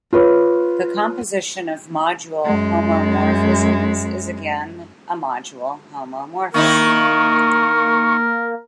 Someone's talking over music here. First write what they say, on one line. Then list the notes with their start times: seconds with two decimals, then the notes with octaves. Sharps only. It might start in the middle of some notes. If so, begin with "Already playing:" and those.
The composition of module homomorphisms is again a module homomorphism.
0.13 F4 B4 C#5
2.45 F#2 G#3
6.54 D#3 A#3 D#4 E4 A#4 C#6